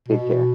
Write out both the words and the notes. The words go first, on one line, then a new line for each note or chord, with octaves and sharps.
Take care.
B2